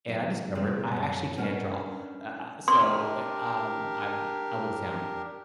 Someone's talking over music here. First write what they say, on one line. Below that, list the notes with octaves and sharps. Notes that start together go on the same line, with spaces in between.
and I discovered I actually can draw, uh, ah, so, eh, um, I I wouldn't say I'm,
F#3 B3 D#4
C3 F3 G3 G#3 B3 C#4
F#2 C#5
G3 C#4 D4 A#4 B4 F#5
D4 G4 A#4 C6